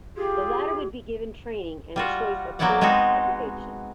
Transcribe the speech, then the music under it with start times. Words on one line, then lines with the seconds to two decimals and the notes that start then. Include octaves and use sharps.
The latter would be given training and a choice of four occupations.
0.17 F4 G4 G#4
1.96 G3 F4 F#4
2.59 F#3 A#3 B3 E4 D5 F#5
2.81 G#3 B3 C4 D#4 F#4